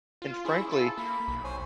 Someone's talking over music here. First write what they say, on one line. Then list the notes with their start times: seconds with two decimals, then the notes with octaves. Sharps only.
and frankly,
0.22 F4
0.45 C#4 E4 G#4
0.71 E4 F4 A4
0.98 A#3 B5
1.28 B1
1.44 C5 C#5 G#5